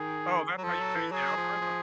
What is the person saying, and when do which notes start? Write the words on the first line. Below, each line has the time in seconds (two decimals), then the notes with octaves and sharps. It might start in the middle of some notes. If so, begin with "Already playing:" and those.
Oh, that's how you change the algorithm?
Already playing: D#3 G#4
0.58 F#3
0.63 F3 A4
0.80 F#3
0.96 E3
1.12 F#3 G#4
1.37 F3
1.61 F3